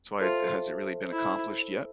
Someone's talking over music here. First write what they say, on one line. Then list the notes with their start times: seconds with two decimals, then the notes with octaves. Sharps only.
it's why has it really been accomplished yet?
0.20 F4 A4 C5 E5 A5
1.12 E4